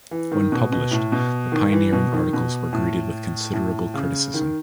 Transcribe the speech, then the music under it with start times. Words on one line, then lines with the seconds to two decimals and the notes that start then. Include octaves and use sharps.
When published, the pioneering articles were greeted with considerable criticism.
0.11 E3
0.32 D#3
0.52 B2
0.72 B2
0.91 A2
1.12 B2
1.52 D#3
1.72 E3
1.93 B2
2.13 D#3
2.33 B2
2.73 A2
3.53 A2
3.94 C#3
4.34 D#3